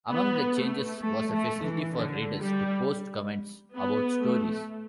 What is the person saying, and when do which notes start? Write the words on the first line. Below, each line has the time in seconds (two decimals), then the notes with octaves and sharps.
Among the changes was a facility for readers to post comments about stories.
0.11 B3
0.57 A3
1.02 A3
1.32 A3
1.63 E3
1.93 D3
2.39 G3
3.75 B3
4.21 A3